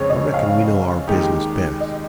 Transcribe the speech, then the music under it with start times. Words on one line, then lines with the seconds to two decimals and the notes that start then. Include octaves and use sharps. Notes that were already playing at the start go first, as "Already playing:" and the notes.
I reckon we know our business best.
Already playing: F2 C#3 G#3 C4 C#5
0.10 D#5
0.34 F5
1.07 D#2 D#3 G#3 D#4 G4
1.80 D#5